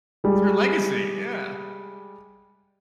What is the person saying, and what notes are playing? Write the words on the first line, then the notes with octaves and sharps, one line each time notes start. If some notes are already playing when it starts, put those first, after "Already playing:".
It's her legacy, yeah.
G3 G#3